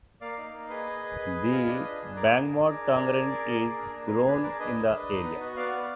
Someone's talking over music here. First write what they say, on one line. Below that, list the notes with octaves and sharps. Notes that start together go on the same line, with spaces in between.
The Bang Mot tangerine is grown in the area.
A#3 D5 F5
D#4
A#3
G#4 B4 D#5
G#4
G#4
G#4
G#4
F4
D4
D4
G#4
G#4 A#4 D5
G#4
D4
G#4
D4
G#4
G#4
G#4
A#3
G#4
D4
A#3
B4
G#4 A#4
D4 B4
G#4 A#4 D5
D4 B4 D#5
D4
D4
D#4
B3
F#4
B3 D5 F5
B3